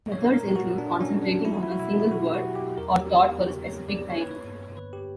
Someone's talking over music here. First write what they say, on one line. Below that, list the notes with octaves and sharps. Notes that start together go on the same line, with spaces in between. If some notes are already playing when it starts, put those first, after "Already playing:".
Methods include concentrating on a single word or thought for a specific time.
A#2 C#5
A#4
A#2
F#4
A#2 D4
C#4
F#3
D4
F#3 E4
F#4
E4
F#4
B2 E4
E4
B2 F#4
G4
F#4
F#3
G4
E2 A#4
G4
B3
G4
C#3
C#5
B3
D5
A#3 C#5
B4
C#5
G2
D3 B4
G4